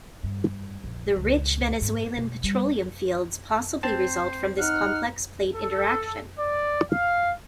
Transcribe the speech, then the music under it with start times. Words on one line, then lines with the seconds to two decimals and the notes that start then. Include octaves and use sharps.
The rich Venezuelan petroleum fields possibly result from this complex plate interaction.
0.24 G2
0.84 A#1
1.16 C#2
1.81 G#2
2.17 B2
2.44 G3
3.83 C4 C5 A5
4.59 D#4 F#5 F6
5.55 A4
6.39 D5
6.91 F5